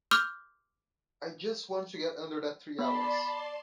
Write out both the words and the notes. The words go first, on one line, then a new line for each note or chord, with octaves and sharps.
I just want to get under that three hours.
C6 D6 E6 F6 G6
B3 D5 A5 B5 C6